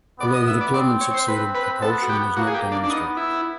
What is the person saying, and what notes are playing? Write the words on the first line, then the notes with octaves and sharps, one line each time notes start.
Although the deployment succeeded, propulsion was not demonstrated.
B3 D5
D#5
E5
D5
C4 D5
C#5
C5
C4 B4
B4
B3 A4
F#4
G4
A#3 F#4
G#4
G4
D4
D4
B3 D#4
E4